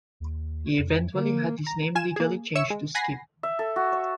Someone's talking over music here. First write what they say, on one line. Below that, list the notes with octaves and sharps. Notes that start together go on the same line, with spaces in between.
He eventually had his name legally changed to Skip.
D#2
F2
D3 A#3
A#5
F4 G#5 E7
A#3 G#4
C#5 E5 E6 C#7 E7
G#3
F#5 G#5 B5 A#6 C7
E5
A4
F#4
C#5